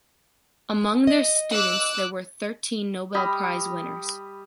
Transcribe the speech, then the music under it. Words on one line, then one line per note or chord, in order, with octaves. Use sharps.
Among their students there were thirteen Nobel Prize winners.
D#5
D6 E6 F#6
G3 D#5 B5